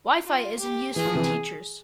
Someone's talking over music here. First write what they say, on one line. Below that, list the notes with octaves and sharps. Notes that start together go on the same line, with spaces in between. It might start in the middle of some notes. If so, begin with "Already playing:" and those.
WiFi is in use for teachers.
F4
G4
E3 G#4
F3
C3 E3